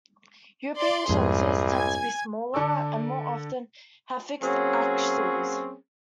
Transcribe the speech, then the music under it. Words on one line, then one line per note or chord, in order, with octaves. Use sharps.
European shunters tend to be smaller and more often have fixed axles.
D5 C6
C2 F2 G#2 G#4
G#5 G#6
D3 A4 D5 E6
F#3 A#3 C4 C#4 G#4 C#5